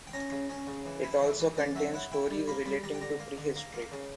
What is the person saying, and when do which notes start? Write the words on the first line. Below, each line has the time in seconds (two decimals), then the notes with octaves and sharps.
It also contains stories relating to prehistory.
0.07 G5
0.13 C#4 A#5
0.32 C#3
0.50 C#4
0.67 C#3
0.86 E3
1.03 E4
1.22 E3
1.40 E3
1.57 C#4 D5
1.76 F#3 E5
1.94 E4 F#5
2.12 E4 G5
2.30 G3
2.47 A#3 B5
2.66 G3 B5
2.83 G3 A#5
2.94 G5
3.01 D3 A#5
3.20 A#3
3.38 D3
3.56 A#3
3.74 A#3
3.92 C#3